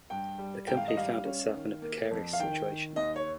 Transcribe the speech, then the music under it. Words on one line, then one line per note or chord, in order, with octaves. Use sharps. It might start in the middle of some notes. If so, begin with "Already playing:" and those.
The company found itself in a precarious situation.
G2 G5
G3
G#1 G5
F5
D#5
G3 F5
C#4
D#3
A#3
F2
F5
D#3 G5
D#3
D#2 D#5
C#5